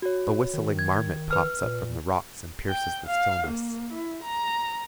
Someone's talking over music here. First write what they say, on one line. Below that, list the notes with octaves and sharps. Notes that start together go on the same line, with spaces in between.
A whistling marmot pops up from the rocks and pierces the stillness.
F#4 C#5
D#3
G#6
B4 F6
A#2
G5
F5
A#3
E4
A#5